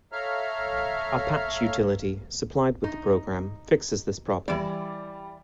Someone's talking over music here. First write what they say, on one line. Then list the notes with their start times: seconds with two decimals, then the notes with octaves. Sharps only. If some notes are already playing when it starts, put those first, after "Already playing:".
A "patch" utility supplied with the program fixes this problem.
0.12 A4 C#5 E5 F5 A#5 F6
2.84 D#4
4.48 E3 G3 D5